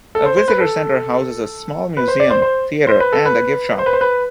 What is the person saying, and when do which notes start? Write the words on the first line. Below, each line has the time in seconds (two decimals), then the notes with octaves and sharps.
A visitor center houses a small museum, theater, and a gift shop.
0.15 A4
0.26 C5
0.37 C5
0.48 B4
0.60 A4
1.97 B4
2.08 C5
2.20 D5
2.30 C5
2.42 C5
2.87 C5
3.00 B4
3.12 A4
3.25 B4
3.79 C5
3.86 B4
3.93 C5
4.01 B4